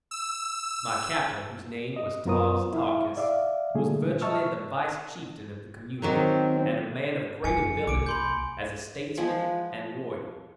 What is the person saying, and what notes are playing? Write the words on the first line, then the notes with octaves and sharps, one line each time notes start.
My captor, whose name was Tars Tarkas, was virtually the vice-chieftain of the community, and a man of great ability as a statesman and warrior.
E6
D#5
F#2 B3 F4 A#4 C5 D#6
E4 E5 F5
D5 E5 F5 D6
A#2 D3 G3 A3 G#4
D#5 E5 A5 C#6 E6 F6
D#3 F#3 A#3 C4
F#1 F#3 G#5 C#7
C2 A#3 D6 D7
B5 C6 G6
F3 G#3 B3 G#4